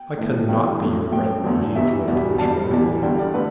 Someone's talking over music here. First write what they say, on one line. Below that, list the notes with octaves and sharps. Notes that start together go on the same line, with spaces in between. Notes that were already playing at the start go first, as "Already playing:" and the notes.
'I cannot be your friend, Marie, if you oppose your uncle.
Already playing: G5
A2 E3 A3
G2 E3 A3 G5
A2 A3
A2 A3 G5
E2 D3 A3
E2 E3 G3 E5
E2 B2 G3
G2 G3 A5
E2 E3 G3
G2 D3 G3 G5
D5
D3 A3 B4